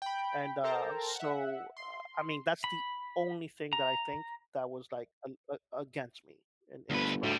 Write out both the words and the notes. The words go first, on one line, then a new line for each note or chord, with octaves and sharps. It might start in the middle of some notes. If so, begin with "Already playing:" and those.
And, uh so, uh I mean, that's the only thing that I think that was, like, a a a against me in in this process.
G5 B5
A4 A#4 C5 G5 A5 A#5
E5 F#5
C6
B5
A#5
G1 D2 B4
D2 A2 G3